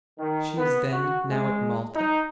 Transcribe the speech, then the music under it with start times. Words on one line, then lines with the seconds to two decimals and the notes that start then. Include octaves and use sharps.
"She is, then, now at Malta?"
0.18 D#3
0.57 B3
0.92 F#4
1.30 G#3
1.95 D#4